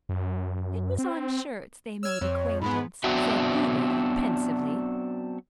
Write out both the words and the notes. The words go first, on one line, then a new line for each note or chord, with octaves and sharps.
"It was on shirts they made acquaintance," said Edith pensively.
F#2
C4
C#5 E6 F6 G#6
F2 C#5
G#2 G#3 B3 B5
F#3 B3 C4 D4 F#4 E5